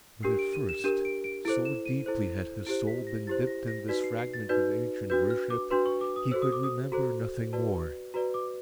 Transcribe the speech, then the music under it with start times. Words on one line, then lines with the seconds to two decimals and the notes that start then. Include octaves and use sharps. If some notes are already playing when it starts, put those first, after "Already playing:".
But at first, so deeply had his soul been dipped in this fragment of ancient worship, he could remember nothing more.
0.23 D4 G4 A#4 C7
0.39 D7
0.53 D#7
0.69 E7
0.79 E7
0.84 D4 G4 A#4 D#7
1.05 D7
1.24 D7
1.45 E4 A4 C5 D7
1.65 E7
1.86 D#7
2.06 E4 A4 C5
2.66 E4 G4 C5 D7
2.87 B6
3.07 A#6
3.27 E4 G4 C5 A6
3.47 A#6
3.68 A#6
3.88 D#4 F#4 B4 D5 B6
4.04 C7
4.18 C7
4.34 A6
4.49 D#4 F#4 B4 D5 G6
5.10 D4 F#4 B4 G6
5.30 F6
5.50 D6
5.70 D4 F#4 B4 C6
5.86 C#6
6.01 D6
6.16 D#6
6.31 F#4 A4 C5 E6
6.42 D#6
6.52 D6
6.63 D#6
6.92 F#4 A4 C5 A#5
7.53 F#4 B4 D5 A5
8.14 F#4 B4 D5 A#5
8.34 D6